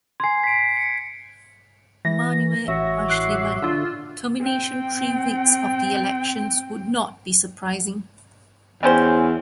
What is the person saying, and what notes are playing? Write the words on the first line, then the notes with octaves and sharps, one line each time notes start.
Manuel Aeschlimann, termination three weeks of the elections would not be surprising.
G#5 C6 G#6 C7
B6 D7
C#7
E3 A#6
A1 F#4 C#5 E5
D6 F#6 C7
D3 F4 E6
C4 G5
E2 G3 C#4 C5